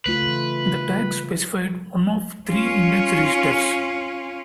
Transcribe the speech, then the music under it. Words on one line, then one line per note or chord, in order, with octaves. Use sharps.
The tag specified one of three index registers.
C#3 A3 F4 B4
C#3 E3
C#4 F4